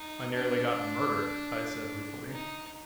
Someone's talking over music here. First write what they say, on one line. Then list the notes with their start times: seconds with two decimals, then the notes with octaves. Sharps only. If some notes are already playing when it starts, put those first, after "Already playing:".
"I nearly got murdered," I said ruefully.
Already playing: D#4
0.34 D4
2.31 D#4